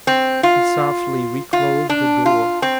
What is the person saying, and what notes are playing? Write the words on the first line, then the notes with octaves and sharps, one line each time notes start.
He softly reclosed the door.
C4
F4
F4
D4
F4
C4